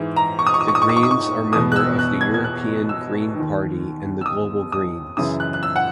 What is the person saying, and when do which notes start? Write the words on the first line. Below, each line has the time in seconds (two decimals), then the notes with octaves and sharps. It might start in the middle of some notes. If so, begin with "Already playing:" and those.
The Greens are member of the European Green Party and the Global Greens.
Already playing: G#2 E3
0.16 A#5
0.39 C#6
0.47 D#6
0.54 C#6
0.61 D#6
0.68 C#6
0.75 D#6
0.82 C#6
0.89 D#6
0.97 C#6
1.03 D#6
1.11 C#6
1.53 E2 B2 D#6
1.72 F#6
1.76 E6
1.99 F#6
2.21 G#6
2.34 G#6
2.44 F#6
2.89 E6
3.35 D#2 D#3
4.21 E6
4.26 D#6
4.72 D#6
5.17 F#2 C#3 E3 D#6
5.40 F#6
5.54 F#6
5.63 E6
5.76 F#5